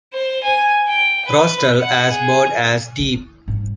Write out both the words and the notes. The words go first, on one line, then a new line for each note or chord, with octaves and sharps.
Rostral as broad as deep.
C5
G#5
G5
B4
F#5
G#4
E4
G#2 G3